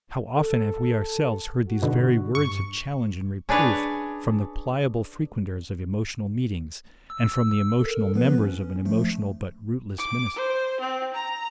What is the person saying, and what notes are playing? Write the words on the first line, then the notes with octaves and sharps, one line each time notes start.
How often have we ourselves heard these very words of challenge and reproof from the pliable frequenters of emotional meetings, and from the emotional members of an emotional but rootless ministry.
A4
F#4
G#2 B2 D3
G2 C#6
C#4 D4 G#4 B4 C#5
E6
A4 A#4
F3 B3 B4
C#4
F3 A3
D6
C5
C4
A#5